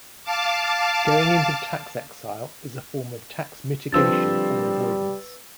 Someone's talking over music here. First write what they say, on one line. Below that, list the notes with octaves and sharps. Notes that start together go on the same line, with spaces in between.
Going into tax exile is a form of tax mitigation or avoidance.
F5 A5 D6
D3 F3 G3 C4 B4 E6 A6